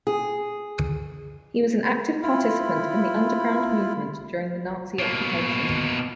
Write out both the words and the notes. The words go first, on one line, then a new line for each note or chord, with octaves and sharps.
He was an active participant in the Underground Movement during the Nazi occupation.
G#4
E4 F4 B5
B2 A#3